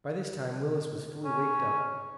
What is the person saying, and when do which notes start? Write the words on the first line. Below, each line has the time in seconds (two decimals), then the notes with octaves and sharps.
By this time Willis was fully waked up.
1.25 C#4